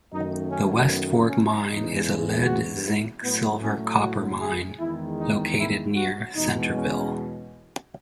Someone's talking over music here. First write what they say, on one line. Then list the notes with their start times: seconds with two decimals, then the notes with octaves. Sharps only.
The West Fork Mine is a lead-zinc-silver-copper mine located near Centerville.
0.11 F#2 D#3 A3 D#4
0.51 C#4
0.89 B3
1.28 C#4
1.67 E2 C#3 E3 G#3 D#4
2.45 F#4
2.84 E4
3.23 A2 F#3 A3 B3
3.63 C#4
4.01 F#4
4.40 G#4
4.79 E2 D#3 G#3 E4
5.19 D#4
5.57 E4
5.96 F#4
6.35 E2 B2 G#3 D#4
6.74 C#4